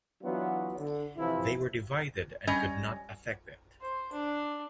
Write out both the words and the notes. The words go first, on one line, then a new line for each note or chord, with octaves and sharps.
They were Divided and could not Effect it.
E3 F#3 B3 D4 F4 F#4
D3
C3 E3 F3 E4
G3 C#4 D#5
C5
D4